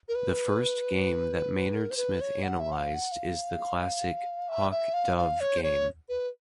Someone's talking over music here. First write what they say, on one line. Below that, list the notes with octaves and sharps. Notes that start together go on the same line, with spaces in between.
The first game that Maynard Smith analysed is the classic Hawk Dove game.
A#4
B4
A#4
C5
B4
C#5
F#5
E5
F#5
F5
F#5
F5
E5
E5
F5
F5
C#5
C5
C#5
B4